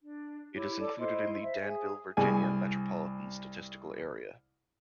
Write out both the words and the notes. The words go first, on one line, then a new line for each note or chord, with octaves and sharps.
It is included in the Danville, Virginia Metropolitan Statistical Area.
D4
E4 G4 C#5 D6
A4 D5 D6
E4 C5 D#5 C6
C5 E5
G#4 G#5
C2 G#4 G#5